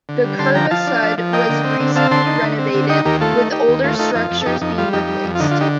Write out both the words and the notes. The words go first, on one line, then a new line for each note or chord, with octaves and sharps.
The Curva Sud was recently renovated, with older structures being replaced.
D3
G3
D3 A5 C6
F3 G5 A#5
F3 F5 A5
D4
F3
F3
A#3 D#5 G5
D3
C4
D3
C4 F5 A5
D3 A5 C6
D#4
D3
C4
D3
D#4 D#5 G5
D#2 G4 A#4
A3 F4 A4
D#4
D#4 G4
D#2
A3 F4
D#4 F4 A4
F2 F4
F2
A4
F2 D#4 G4
F2 D#4
G3 F4
F2 D#4 G4
G3
F2
F4
D3 D#4
F4
D#4 G4